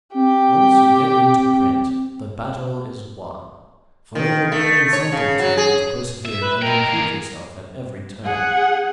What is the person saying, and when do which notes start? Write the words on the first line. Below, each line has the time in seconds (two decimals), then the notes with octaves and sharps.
Once you get into print the battle is won, for it will be an incentive to you to persevere and improve yourself at every turn.
0.14 C4 G4 G5
4.15 D#3
4.52 A3
4.93 C#5
5.12 C#3
5.39 F#3
5.57 G#4
6.25 E5
6.42 B4
6.62 A#4 D#5 G5
6.90 A#3 G#4
8.23 G#4 F#5